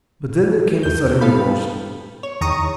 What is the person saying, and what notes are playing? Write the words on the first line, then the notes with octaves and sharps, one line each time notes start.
But then there came a sudden revulsion.
E2 G6
B3 A4 F5 B5
C#5
E2 D#3 A#5 C#6 D#6